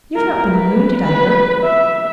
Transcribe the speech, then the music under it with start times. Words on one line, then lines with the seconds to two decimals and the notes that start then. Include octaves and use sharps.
"You have not been wounded, I hope?"
0.16 A#4
0.50 B4
1.03 B4
1.63 E5